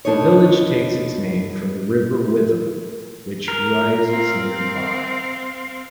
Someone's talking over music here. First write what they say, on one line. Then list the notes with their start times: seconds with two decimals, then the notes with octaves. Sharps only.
The village takes its name from the River Witham which rises nearby.
0.05 E2 D4 D#4 C#5
3.48 A#4
4.07 C4 F5